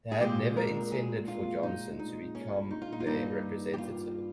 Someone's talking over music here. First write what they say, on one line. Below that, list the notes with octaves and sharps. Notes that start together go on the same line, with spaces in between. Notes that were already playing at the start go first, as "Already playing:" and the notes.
They had never intended for Johnson to become their representative.
G#4
A#2 G#3 C4 G4
A#4
G#4
F4
D#4
D#4
C#4
D#4
F4
D#4
F4
G2 D#3 G3 A#3 D#4
G4
F4